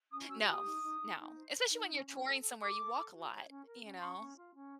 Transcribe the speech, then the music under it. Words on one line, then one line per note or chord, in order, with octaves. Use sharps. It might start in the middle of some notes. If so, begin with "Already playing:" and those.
No, no, especially when you're touring somewhere, you walk a lot, you know?
C#4 D#6
F#4 E6
G4 D#6
D#4
D#4
D#4
D#4
C5
C5
D#4
C#4
C#4
A4
A4
A4 D6
A4
A4
F#4
C#5
C#4
A#4
C#4
C6
C#4 C#6
C#4
F4
C#4